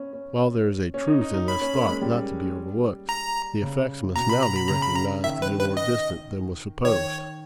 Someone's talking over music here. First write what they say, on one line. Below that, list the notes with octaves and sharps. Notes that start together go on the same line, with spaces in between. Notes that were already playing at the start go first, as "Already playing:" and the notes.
While there is a truth in this thought not to be overlooked, the effects must now be recognized to be more distant than was supposed.
Already playing: B3 C#4
C#4
C#4
D#4
D#4
D#4
C#4 B5
C#4
A#3
G#3
G3
A#5
C#3
B2 A#5
B5
A#5
B5
C#3 A#5
B5
A#5
D#3 E5
B4
B4
D#5
D#3 C#5